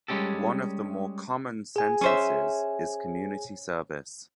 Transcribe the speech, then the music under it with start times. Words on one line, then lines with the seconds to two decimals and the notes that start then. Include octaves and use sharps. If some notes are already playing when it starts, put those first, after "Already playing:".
One of the more common sentences is community service.
0.08 G3 G#3 C#4 G4 A4
1.76 G#4 G#5
2.01 C#4 C5 E5